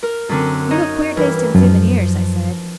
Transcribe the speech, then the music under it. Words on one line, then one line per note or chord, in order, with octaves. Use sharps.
'You've a queer taste in souvenirs,' I said.
A#4
F#2 D3 C4
D#4 C#5 D#5
G2 E3 A#4
F#2 F3